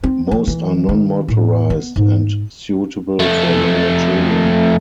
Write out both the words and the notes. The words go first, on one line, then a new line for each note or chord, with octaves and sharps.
Most are non-motorized and suitable for younger children.
C4
F3
E3
D#3
A2
B3
G#2
F2 A3